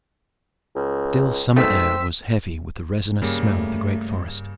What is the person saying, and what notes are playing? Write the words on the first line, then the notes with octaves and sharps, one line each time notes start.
The still summer air was heavy with the resinous smell of the great forest.
C#2
G#2 B2 A3 C4 E6 B6
G2 C#3 G3 A#3
A3